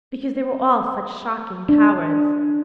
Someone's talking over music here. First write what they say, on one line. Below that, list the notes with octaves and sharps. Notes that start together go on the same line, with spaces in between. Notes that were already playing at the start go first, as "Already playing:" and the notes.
'Because they were all such shocking cowards.'
D4